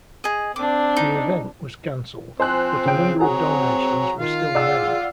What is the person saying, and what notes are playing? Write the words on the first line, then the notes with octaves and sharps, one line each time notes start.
The event was cancelled, but a number of donations were still made.
G#4 D#5
C4 D4 D6
D#4
F3 C4 C5 G#5 F#6
C#3 G5
C4 F#4 G#4 C#5 A#5
D#3 F4 F5
G#4 D5 F#5 E6